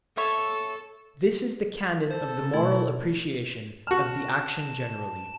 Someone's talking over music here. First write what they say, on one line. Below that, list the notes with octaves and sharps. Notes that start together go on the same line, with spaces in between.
This is the canon of the moral appreciation of the action generally.
A4 C#5 E5
A4 C5
B2 A3 E4
F#4 A5 F6